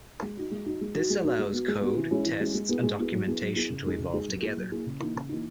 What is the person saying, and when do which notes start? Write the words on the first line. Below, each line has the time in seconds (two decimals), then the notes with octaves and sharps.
This allows code, tests, and documentation to evolve together.
0.22 G#3
0.37 D#4 F#4
0.51 G#3
0.66 D#4 F#4
0.81 G#3
0.95 D#4 F#4
1.10 G#3
1.25 D#4 F#4
1.39 G#3
1.53 B3 F#4
1.68 G#3
1.82 B3 F#4
1.97 E3
2.11 G#3 C#4 E4
2.26 E3
2.40 G#3 C#4 E4
2.54 G#3
2.69 B3 E4 G#4
2.83 G#3
2.98 B3 E4 G#4
3.12 F#3
3.27 B3 E4 G#4
3.42 F#3
3.56 B3 E4 G#4
3.70 C#3
3.85 G#3 D#4 G#4
3.99 C#3
4.13 G#3 D#4 G#4
4.28 F#3
4.42 A#3 E4 G#4
4.57 F#3
4.72 A#3 E4 G#4
4.86 C#3
5.00 E3 A#3 D#4
5.15 C#3
5.29 E3 A#3 D#4